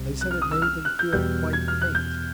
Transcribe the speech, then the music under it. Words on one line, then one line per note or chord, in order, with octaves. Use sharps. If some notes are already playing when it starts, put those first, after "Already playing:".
They said it made them feel quite faint.
Already playing: C2 C3
F#6
F6
D#6
E6
F6
F#6
G6
E2 B2 G3 G6
G#6
F6
F#6
G6